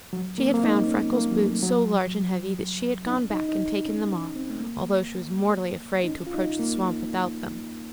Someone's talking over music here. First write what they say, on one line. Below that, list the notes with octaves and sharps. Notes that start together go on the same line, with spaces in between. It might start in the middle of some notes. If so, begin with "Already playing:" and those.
She had found Freckles' boots so large and heavy that she had gone back and taken them off, although she was mortally afraid to approach the swamp without them.
F#3
A#3
C4
A#3
D#4
C#4
A#3
F#3
A3
F#3
D#4
C#4
D#4
D#4
C#4
C#4
C4
A3
A#3
D#4
C#4
F4
D#4
A#3